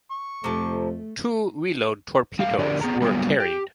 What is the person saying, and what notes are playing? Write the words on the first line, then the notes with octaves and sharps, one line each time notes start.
Two reload torpedoes were carried.
C#6
F2 C3 F3 A3
G3 A3 F5
D3 D4 G4 A#4 D5
B3 G#4 A#5
F#3 G3 A#3 B3
G4